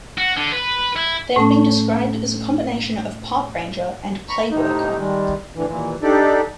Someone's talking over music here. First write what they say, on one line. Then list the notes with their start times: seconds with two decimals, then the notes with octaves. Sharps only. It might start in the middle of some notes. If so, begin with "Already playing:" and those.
They have been described as a combination of a park ranger and a playworker.
0.18 F#4
0.37 D3
0.52 B4
0.96 E4
1.36 A2 A3 C#4
4.29 A#5 B5 C#6
4.51 A2 C3 D#4
4.98 D#3 G3 G#3
5.56 A2 D3 E3
5.67 D#2 A#2 E3
6.02 D4 D#4 G4 A4 D5